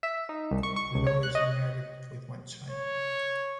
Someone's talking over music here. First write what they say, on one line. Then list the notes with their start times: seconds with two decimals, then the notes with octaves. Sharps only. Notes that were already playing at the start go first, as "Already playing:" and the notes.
Loh is married with one child.
0.03 E5
0.29 D#4
0.51 C2
0.63 C#6
0.76 C#6
0.95 C#2
1.07 C#5
1.23 F#6
1.35 D#5
2.71 C#5